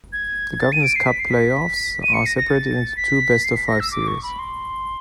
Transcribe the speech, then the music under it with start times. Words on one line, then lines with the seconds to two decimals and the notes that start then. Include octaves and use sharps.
The Governors' Cup Playoffs are separated into two best-of-five series.
0.13 G#6
0.60 A6
0.72 D#7
0.83 D7
0.96 C7
1.07 B6
1.19 C7
1.30 B6
2.03 D#7
2.14 C#7
2.26 A#6
2.38 A#6
2.49 A6
2.97 B6
3.44 C7
3.56 B6
3.68 A#6
3.80 E6
3.92 D6
4.07 C#6
4.23 B5
4.39 C6